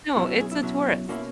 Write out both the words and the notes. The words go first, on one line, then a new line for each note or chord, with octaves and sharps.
No, it's a tourist.
B2 F#3 C#4 E4 F#4
F#4
G#4
E4
B2 F#3 C#4 E4 F#4
B2 A#3 C#4 E4 F#4